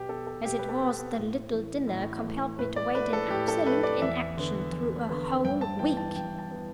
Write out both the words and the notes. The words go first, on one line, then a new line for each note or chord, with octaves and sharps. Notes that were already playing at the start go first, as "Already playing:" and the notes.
As it was, the "little dinner" compelled me to wait in absolute inaction through a whole week.
Already playing: B2 G4
B3 A4
A4
B2 G4
B4
A4
B3
A2
E3 A3
A2
E3 A3
A2 B4
D5
A3 B4
A4
A2 G4
A4
A3 B4
D5
E2 E5
D3 B3
E2
D3 B3
G2 G5
A5
E3 B3 G5
A5
G2 G5
A5
E3 B3